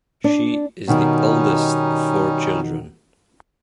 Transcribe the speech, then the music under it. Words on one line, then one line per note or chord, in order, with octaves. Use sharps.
She is the eldest of four children.
D4
B2 D#3 G3 C#4 D#4